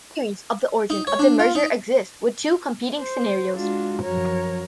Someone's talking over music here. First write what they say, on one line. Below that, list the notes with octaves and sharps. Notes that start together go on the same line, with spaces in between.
Theories of the origin of the merger exist, with two competing scenarios.
D#4
C#5
D4
F4
D#4
C5
G#3 D4 F4 F#4
F#2 F3 F#4 A#4 C#5 A#5